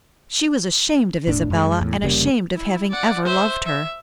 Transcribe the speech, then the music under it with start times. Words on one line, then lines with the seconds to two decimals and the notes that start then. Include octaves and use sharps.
She was ashamed of Isabella, and ashamed of having ever loved her.
1.27 E1 A2 D4
1.50 F#2 G#3
1.81 E2 A2
2.02 F1 C#3 G3 A#3
2.55 E4
2.90 D5 F#5
3.25 C5 E5
3.66 E5